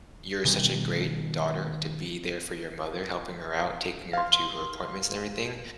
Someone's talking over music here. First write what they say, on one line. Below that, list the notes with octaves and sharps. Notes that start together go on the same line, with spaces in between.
you're such a great daughter to be there for your mother, helping her out, taking her to her appointments and everything.
B2 D#3 G3 A3
F5 C6